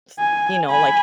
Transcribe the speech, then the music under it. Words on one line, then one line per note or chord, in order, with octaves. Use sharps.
t you know, like
G#5
G#5 B5